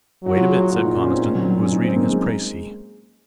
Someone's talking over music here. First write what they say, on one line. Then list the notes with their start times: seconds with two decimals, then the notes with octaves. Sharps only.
"Wait a bit," said Conniston, who was reading his precis.
0.23 F#3 F#4
0.36 F4
0.47 G#4
0.61 F#4
0.73 A#2 F4
0.85 D#4
0.97 C#4
1.11 C4
1.23 C4
1.35 F#3
1.59 C#4
1.72 D#4
1.85 C4
1.96 A#3
2.09 G#3